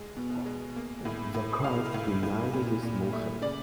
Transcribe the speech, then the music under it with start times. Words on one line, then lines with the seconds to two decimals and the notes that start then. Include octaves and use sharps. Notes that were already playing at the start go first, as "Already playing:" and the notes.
The court denied this motion.
Already playing: G#3
0.17 B2
0.46 G#3
0.76 A#3
1.05 A2
1.34 A2
1.64 G#3 F5
1.94 A2
2.23 A2
2.53 A#2
2.83 A#2
3.13 A3
3.42 C#3 D5